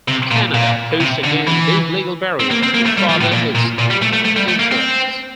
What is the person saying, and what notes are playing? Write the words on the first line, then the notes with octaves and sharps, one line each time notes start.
Canada pushed against these legal barriers to further its interests.
C3
A#2
A#2
C3
D3
E3
C4
A#3
C4
A#3
A3
G3
F3
A2
A#2
A#2
A#2
G3
A3
A3
A3
G3
A3
A#3
C4